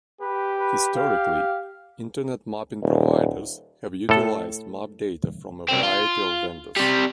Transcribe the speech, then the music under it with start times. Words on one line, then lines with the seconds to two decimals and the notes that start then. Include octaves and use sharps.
Historically, Internet mapping providers have utilized map data from a variety of vendors.
0.21 G4 B4
0.59 B4
0.96 F5
2.82 D#1
4.09 A2 A4
5.69 C2 C4
5.83 F4
6.76 C3 G3